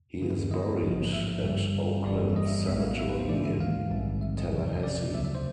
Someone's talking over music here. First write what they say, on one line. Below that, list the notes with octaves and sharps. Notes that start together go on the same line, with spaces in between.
He is buried at Oakland Cemetery in Tallahassee.
G2 D3 F#3 B3
D#5
A1 G#2 F3 A#3
E5
G2 D3 G3
G1 G2 E3 G3 A#3 D5
D#5
E5
A#1 A2 F#3 B3 E5
F5
E5
B4
C5
G#2 E3 G#3 D5
E5
F5
A#1 G#2 D#3 G3 C4
E5
D#5
F2 C3 F3
D5
D2 C#3 F#3 A3 E5
E5
C5